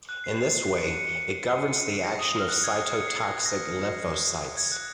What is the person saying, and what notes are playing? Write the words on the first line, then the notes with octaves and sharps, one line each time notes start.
In this way, it governs the action of cytotoxic lymphocytes.
F#6
C7
C7
C7
C7
C#7
D#7
C#7
C7
A#6
D#6
F6
F#6
G#6
C#7
C7
A#6
A#6
G#6
F#6